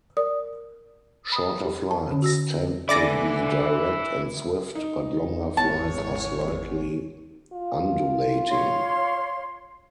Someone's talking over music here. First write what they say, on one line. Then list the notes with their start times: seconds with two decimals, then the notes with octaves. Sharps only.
Shorter flights tend to be direct and swift, but longer flights are slightly undulating.
0.17 A#4 D5 D#6
1.32 B5 D#6
1.64 G4
1.91 A5
2.11 D3 C#4
2.22 F#4 E6 A#6
2.89 D3 E4 D5 G#5 D6 A#6
4.75 D#4
5.57 G#1 E2 C#5 A5
7.53 F4
8.49 C#5 F5 C6